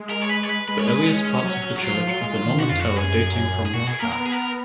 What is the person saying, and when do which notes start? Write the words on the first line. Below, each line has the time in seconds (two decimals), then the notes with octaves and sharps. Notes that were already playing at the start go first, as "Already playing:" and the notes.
The earliest parts of the church are the Norman tower dating from ca.
Already playing: G#3
0.10 A#4
0.22 C#5
0.30 B4
0.44 C#5
0.49 B4
0.68 G#3 B4
0.78 C#5
0.87 B4
1.05 C#4
1.44 F#3
1.76 F#4
1.82 F#3 F4
1.95 F3
2.08 F#3
2.21 G#3
2.34 F#3
2.46 D#3
2.58 B2 F#4
2.69 F2 F4
2.79 F#4
2.85 F#2
2.97 G#4
3.65 G#4
3.73 A#2 F#4
3.83 B2 G#4
3.99 A#3 A#4
4.12 B3 A#4
4.25 G#4
4.32 A#4